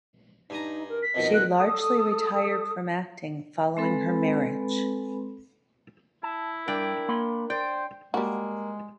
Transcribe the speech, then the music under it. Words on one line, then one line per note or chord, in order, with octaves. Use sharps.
She largely retired from acting following her marriage.
G2 D#4 G#5 A#5
A#4
B6
F2 B2 D#3 D#5
F#6
A4 D#6
G#3 C4 A4 B4 B5
E4 A5
G2 D4 A#4 D5 G5
A#3 B5 C6
C5 D5 G5
G3 G#3 A#3 F#4